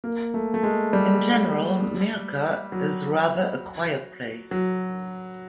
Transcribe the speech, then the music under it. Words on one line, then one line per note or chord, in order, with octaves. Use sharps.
In general, Mirca is rather a quiet place.
A#3
A3
A3
G#3
G3
F#3
F#3